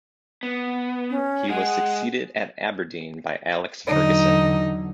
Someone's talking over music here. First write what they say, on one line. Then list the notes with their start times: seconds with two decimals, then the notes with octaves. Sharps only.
He was succeeded at Aberdeen by Alex Ferguson.
0.43 B3
1.10 C#4
1.49 G#3 G#4 F#5
3.87 E2 D3 F#3 D#4